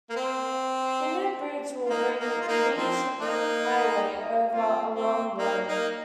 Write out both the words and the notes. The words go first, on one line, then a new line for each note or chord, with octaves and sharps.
The new bridge will bring Leach Highway over Orrong Road.
A#3
C4
F4
A#3 D#4
A#3 D#4
F4
A#3 D#4
F3 C4
A#3 D#4
C4 F4
C4
A#3 D#4
A#3 D#4